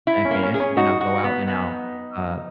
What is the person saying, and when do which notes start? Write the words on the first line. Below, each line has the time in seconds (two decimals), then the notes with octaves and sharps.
and I finish, then I'll go out and I'll, uh,
0.07 E4
0.25 C#4
0.31 A#3
0.43 C#4
0.54 G#4
0.60 C#4
0.77 D#4 F#4
1.01 F#4
1.24 B3
1.47 B3